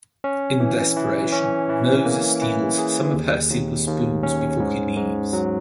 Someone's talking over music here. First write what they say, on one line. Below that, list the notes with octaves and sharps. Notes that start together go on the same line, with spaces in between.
In desperation, Moses steals some of her silver spoons before he leaves.
C#4
E3
E3
C#4
E3
A#3
E3
G#4
D#2
D#2
D#2
C#4
G#2
G#2
F#3